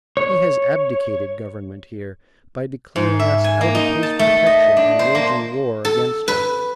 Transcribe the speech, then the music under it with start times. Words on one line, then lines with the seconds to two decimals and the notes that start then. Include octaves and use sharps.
He has abdicated Government here, by declaring us out of his Protection and waging War against us.
0.17 C#5
2.96 G#2
3.19 E5
3.44 G#5
3.61 A#3
3.75 D#4
4.03 A5
4.19 A3
4.46 D#5
4.77 D4
4.99 C5
5.15 A#3
5.85 A4
6.28 B4